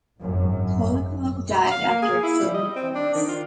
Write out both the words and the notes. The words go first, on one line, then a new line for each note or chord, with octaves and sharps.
Kulikov died after extended illness.
G#1 F#2
F5
A#3
G#4
E4
G3
D#5
C4
D4
D#3
F4